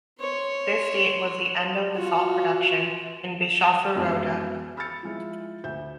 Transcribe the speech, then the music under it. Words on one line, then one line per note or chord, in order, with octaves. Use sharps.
This date was the end of the salt production in Bischofferode.
C#5 C6
F4 F#4
F#2 G#3 B3 E4
B5 E6 F6 G6 A6 C#7
F3 G#3 E4
D2 E5 G6